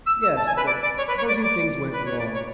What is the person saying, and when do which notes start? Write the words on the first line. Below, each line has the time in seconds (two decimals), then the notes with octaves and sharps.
"Yes; but supposing things went wrong?"
0.06 E6
0.21 E6
0.36 A5
0.46 G#5
0.56 B4
0.66 D5
0.81 D5
0.97 C#5
1.07 B4
1.17 C#5
1.27 D5
1.42 D5
1.91 B4
2.05 C#5
2.18 D5
2.33 C#5